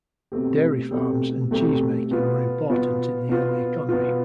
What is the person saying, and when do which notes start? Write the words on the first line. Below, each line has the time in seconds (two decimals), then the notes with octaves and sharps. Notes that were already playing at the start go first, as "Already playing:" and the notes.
Dairy farms and cheesemaking were important in the early economy.
0.32 B2 A3 C4 G4
0.91 B2 A3 C4 G4
1.51 B2 A3 C4 G4
2.11 B2 B3 F4
2.69 B2 B3 F4
3.29 B2 B3 F4
3.89 B2 B3 F4